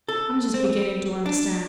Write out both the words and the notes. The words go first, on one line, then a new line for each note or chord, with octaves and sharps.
I am just beginning to understand.
A4
C4
D4